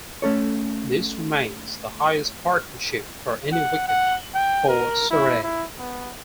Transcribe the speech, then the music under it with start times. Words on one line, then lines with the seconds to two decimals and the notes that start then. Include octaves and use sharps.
This remains the highest partnership for any wicket for Surrey.
0.22 A3 C#4 A4 C#5
3.52 F#5
3.88 F#5
4.35 G5
4.69 A#4
5.11 E4
5.43 E4
5.79 B3